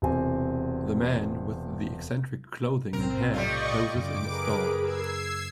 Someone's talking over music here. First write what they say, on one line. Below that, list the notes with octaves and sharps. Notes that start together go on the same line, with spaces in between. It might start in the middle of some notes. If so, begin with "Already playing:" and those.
The man with the eccentric clothing and hair poses in a store.
E1 C3 C4 G#5
B1 A2 C3 C4 A#4
G3 A3 F4 D5 D#5 C#6
F#2 C#3 D6 D7
G#4 A#4 B4
E6 G#6 C7